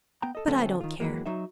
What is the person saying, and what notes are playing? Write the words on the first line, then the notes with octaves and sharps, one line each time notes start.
But I don't care.
B3 G5 A#5
A4 D#5
D3 F#3 A3 C4 C#4 A4
D#3 F4
D#2 E3 F#3 G#3 A#3
F#3 D#4 E5